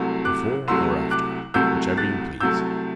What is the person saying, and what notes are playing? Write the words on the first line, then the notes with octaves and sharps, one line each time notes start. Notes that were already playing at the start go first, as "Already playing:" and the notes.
"Before or after, whichever you please."
Already playing: C2 C3 F#3 A3
D6 F#6
C2 C3 F#3 A3 C6 E6
D6 F#6
C2 C3 F#3 A3 E6 G6
F#6 A6
C2 C3 F#3 A3 E6 G6